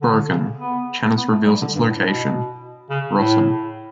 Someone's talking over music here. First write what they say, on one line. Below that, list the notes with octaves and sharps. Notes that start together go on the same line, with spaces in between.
Broken, Channis reveals its location: Rossem.
D3
C#3
B3
B3
A3
G3
D3
G2
A2
B2
C#3
A2